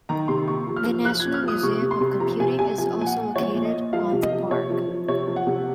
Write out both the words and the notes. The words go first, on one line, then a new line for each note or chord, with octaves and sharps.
The National Museum of Computing is also located on the Park.
D#3 A#5
C3 C6
A#2 C#6
F3
F6
F3
F3 F#6
G#6
A#2
F6
F3 D#6
C3 C#6
C3
C6
C3
F3 A#5
C3 G#5
C3 G#5
F3 G#5
A#2 G#5
F#5
A#2
F3 C#5
A#2
D#5
A#2
F3 F5
C3
D#5
F3
C3 C#5
F3
F3
C3 C#5
F3
F#5
C3